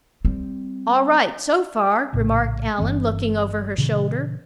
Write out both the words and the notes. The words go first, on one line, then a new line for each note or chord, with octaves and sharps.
"All right, so far," remarked Allan, looking over her shoulder.
G3 C4
A#1 A2 C#3
G1 G2 E3 C4
A#2 C#3 E3